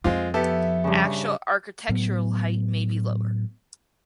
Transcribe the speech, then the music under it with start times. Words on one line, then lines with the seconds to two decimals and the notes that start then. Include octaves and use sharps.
Actual architectural height may be lower.
0.04 F2 F3 G#3 C4 F4
0.34 B3 G4 A4 E5
0.84 G2 C#3
1.89 A2 F#3 B3